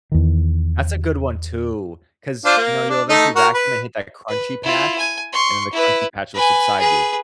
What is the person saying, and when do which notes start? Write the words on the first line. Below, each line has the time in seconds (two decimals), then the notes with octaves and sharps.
That's a good one too, 'cause, you know, you'll eventually vacuum and hit that crunchy patch, and then the crunchy patch will subside you.
0.12 E2 D#3
2.45 D4 F4 C5
2.57 A#3
2.89 D4
3.09 A3 D#4
3.36 F#4 A#4
3.54 B4
4.28 B4
4.63 E4 F4
4.98 G#5
5.33 C6 C#6
5.73 E4 B4
6.35 B4 G#5
6.79 G#4 B4